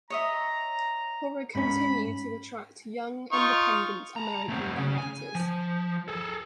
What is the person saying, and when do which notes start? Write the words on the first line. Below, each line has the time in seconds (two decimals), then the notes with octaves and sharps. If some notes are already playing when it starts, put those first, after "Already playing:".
Horror continued to attract young, independent American directors.
0.10 C#5 D#5 E5 A#5
1.55 G#2 C#4 B5
3.32 D#4 F4 C#6
4.16 A#5 B5
4.49 A3 C4
4.78 C#3
4.98 G#5
5.35 F3
6.08 G#4 A4